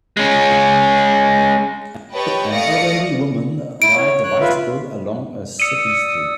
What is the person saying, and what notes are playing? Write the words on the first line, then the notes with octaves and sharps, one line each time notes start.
An elderly woman rides a bicycle along a city street.
G#3 C#4
G4 B4 C#5 D#5 G5 A5
A3 D5 F5 D#6 A#6 C#7
E4 D7
C#5
C#5 F#6
F4 B4 E5
D5 D#6 E6 C#7 D#7